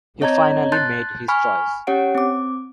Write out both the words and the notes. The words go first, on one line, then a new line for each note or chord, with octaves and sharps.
He finally made his choice.
C4 C#5 D#5 A5 A#5 G#6
A5 C6 F#6 G6 A6
G#5 B5 C#6 F6
C#4 G4 C#5 F#5 D7
C4 D6